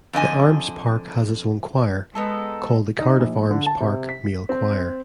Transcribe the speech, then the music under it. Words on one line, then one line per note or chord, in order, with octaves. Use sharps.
The Arms Park has its own choir, called the Cardiff Arms Park Male Choir.
F2 D3 D#5 G#5
G#3 B3 D#4 A4
D#4
A#1
D3
A5
C3
B6
C4